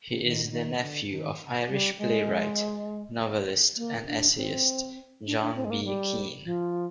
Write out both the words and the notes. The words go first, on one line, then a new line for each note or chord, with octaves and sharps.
He is the nephew of Irish playwright, novelist and essayist John B. Keane.
D#3
D3
D#3
D3
D#3
G3
G#3
A#3
D4
C4
D4
D4
C4
G#3
A#3
G3
F3